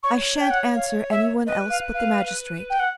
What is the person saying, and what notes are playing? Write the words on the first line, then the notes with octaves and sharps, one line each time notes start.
I shan't answer any one else but the magistrate.
C#5 C#6
G5
F#5
F5
E5
B4 D#5
F5
F5
G5
F#5